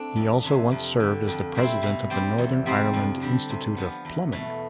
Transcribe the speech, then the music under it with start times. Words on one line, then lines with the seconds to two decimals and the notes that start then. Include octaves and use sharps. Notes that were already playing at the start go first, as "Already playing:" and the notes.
He also once served as the President of the Northern Ireland Institute of Plumbing.
Already playing: A3 C4 D4
0.16 F2
0.44 C3 E3
0.72 F2
1.00 D3 G3
1.28 F2
1.55 C3 G3 C4 E4
1.83 B2
2.10 G3 C4 G4
2.38 E2
2.66 C3 G3 C4
2.93 F2
3.21 D3 G3 D4
3.49 C3
3.77 F3 B3
4.05 E2
4.32 B2 A3